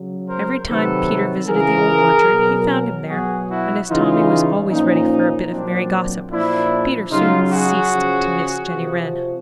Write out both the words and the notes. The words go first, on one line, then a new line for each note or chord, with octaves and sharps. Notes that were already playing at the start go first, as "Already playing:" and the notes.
Every time Peter visited the Old Orchard he found him there, and as Tommy was always ready for a bit of merry gossip, Peter soon ceased to miss Jenny Wren.
Already playing: C#3 F#3
A#4 C5
C3 D#3 F#3 A4 B4
C#3 E3 G#4 A#4
B2 F#3
B2 F#3 F#4 G#4
E4 F#4
C#3 E3 D#4 F4
A#2 F3 C#4 D#4
A#2 F#3 C4 D4
A#2 F3 D4 E4
C#3 F#3 D#4 F4
F#4 G#4
C#3 F3
C3 F3